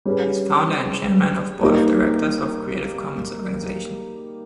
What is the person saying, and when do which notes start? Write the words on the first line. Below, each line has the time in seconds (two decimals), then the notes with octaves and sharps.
He is founder and Chairman of Board of directors of Creative Commons Organization.
0.05 G3 C#4 G#4 B4
1.61 G3 A#3 D#4 G4